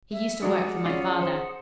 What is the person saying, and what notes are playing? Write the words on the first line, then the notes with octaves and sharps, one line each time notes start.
He used to work for my father.
E5
F#3 G#3 D4 G#4 D5 F#5
C#4 F4
C5